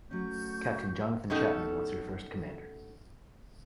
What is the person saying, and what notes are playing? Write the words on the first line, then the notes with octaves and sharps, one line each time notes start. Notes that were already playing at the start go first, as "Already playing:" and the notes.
Captain Jonathan Chapman was her first commander.
F#3 A3 C#4 F#4 C#6 G6
B2 G3 A3 C#4 D#4 A4